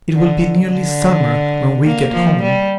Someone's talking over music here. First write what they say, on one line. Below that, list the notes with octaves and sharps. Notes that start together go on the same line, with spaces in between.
It will be nearly Summer when we get home.
D3
D3
A#3
F3
G3